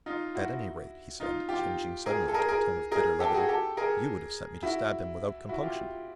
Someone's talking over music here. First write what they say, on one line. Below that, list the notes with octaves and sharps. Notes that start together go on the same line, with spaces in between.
"At any rate," he said, changing suddenly to a tone of bitter levity, "you would have sent me to stab him without compunction."
D#4 F4
E4 F#4
D#4 F4
F4 G4
G#4 A#4
A4
G#4 A#4
G#4 A#4
G#4 A#4
G4 A4
F#4 G#4
G4 A4
G#4 A#4
E4 F#4
E4 F#4
F4 G4